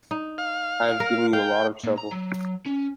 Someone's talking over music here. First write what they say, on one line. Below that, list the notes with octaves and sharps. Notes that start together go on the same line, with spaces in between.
I've given you a lot of trouble.
D#4
F5
A#4
F5 G5
A#2
A#5
F#3
C#4